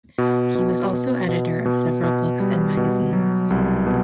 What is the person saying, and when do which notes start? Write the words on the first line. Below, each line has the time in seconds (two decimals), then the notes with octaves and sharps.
He was also editor of several books and magazines.
0.18 B2
0.55 B2
0.93 B2
1.29 B2
1.65 B2
2.03 B2
2.40 G3
2.77 B2
3.13 F#3
3.50 C2
3.87 B2